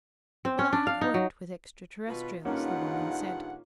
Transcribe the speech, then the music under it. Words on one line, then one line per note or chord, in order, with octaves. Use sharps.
"Well, I have worked with extraterrestrials," the woman said.
C4
C#4
D4
F5
D#4
F#3
B2 F4 B4
G2 C#3 A#3 C#4 D#4 F4 F#5